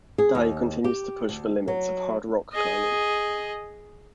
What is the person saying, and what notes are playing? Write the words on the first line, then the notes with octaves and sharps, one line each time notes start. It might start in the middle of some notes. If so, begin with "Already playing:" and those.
Dai continues to push the limits of hard rock climbing.
G#4
D#2
G4
D2
F#3
G#4 D#5